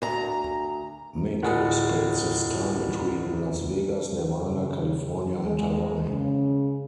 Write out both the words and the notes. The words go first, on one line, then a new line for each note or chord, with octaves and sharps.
Mick splits his time between Las Vegas, Nevada, California, and Hawaii.
D2 A#5
D1 F4 G#4 A#4 F#5
C#3
G#3
C#3